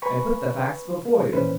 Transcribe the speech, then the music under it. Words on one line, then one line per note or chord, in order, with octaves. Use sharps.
I put the facts before you.
B4 G#5 A#5 B5 C#6
A#2 E3 C#4 B4 C5